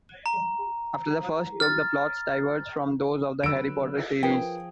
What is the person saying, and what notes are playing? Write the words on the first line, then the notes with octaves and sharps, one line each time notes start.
After the first book, the plots diverge from those of the Harry Potter series.
A#5
F6 A6
D3 F#3 B4 E6 D7
F3 F4 G#4 A#4 B4 G5